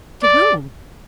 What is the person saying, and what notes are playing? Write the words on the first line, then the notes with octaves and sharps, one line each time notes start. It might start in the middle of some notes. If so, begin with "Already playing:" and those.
"To whom?"
D5